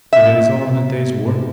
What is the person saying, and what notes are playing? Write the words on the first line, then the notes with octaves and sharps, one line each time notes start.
But it is all in the day's work.
E5